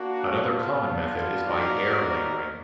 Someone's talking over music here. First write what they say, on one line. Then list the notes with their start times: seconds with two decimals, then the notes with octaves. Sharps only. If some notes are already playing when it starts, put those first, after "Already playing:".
Another common method is by air layering.
Already playing: A#3 D4 F#4
0.44 B3 D4 F4
1.48 A#3 D#4 F#4 A#4 D5